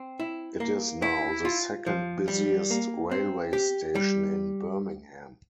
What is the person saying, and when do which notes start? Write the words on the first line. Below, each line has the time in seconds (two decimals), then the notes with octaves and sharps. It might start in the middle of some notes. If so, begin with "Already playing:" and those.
It is now the second busiest railway station in Birmingham.
Already playing: C4
0.20 E4
0.60 A#3
1.02 E4
1.45 F4
1.86 F3
2.28 G3
2.70 A#3
3.11 C4
3.53 G4
3.95 G3